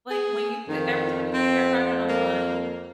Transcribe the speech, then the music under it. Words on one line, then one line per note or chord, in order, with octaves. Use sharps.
Like, when you put every time you put your heart out on the line
G#4
F2 D#3
C4
A#3